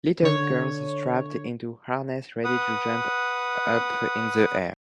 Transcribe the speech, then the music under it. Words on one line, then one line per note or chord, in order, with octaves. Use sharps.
Little girls strapped into harnesses ready to jump up in the air.
D3 C#5
B4 F#5 D#6